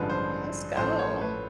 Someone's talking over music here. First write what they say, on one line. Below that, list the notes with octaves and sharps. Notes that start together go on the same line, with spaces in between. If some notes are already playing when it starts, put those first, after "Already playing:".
Let's go.
Already playing: A1 G2 D3 F3 G#3 B4
C5
A1 A2 F3 A3 C5
C#5
B4